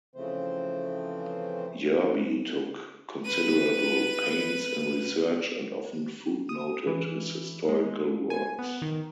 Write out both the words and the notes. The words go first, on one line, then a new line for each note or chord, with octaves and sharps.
Yerby took considerable pains in research and often footnoted his historical works.
C#3 E3 F3 A3 C4 C5
B4 D#7
D#6
E3
G#3
G#5
B3
D#3